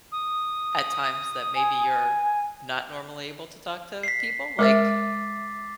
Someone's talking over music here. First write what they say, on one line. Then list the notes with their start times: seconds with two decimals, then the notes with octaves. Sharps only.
at times that maybe you're not normally able to talk to people? Like
0.12 D#6
1.56 G#5
4.03 B6 C7
4.59 G#3 A#4 E5 D6 A6